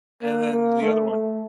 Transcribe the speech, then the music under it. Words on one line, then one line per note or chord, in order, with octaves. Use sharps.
and then the other one
A#3
A#3
A3
A3